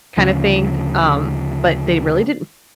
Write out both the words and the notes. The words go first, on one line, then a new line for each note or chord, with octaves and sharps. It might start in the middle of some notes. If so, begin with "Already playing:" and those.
kinda thing, um, but they really didn't
D2 C#3 F3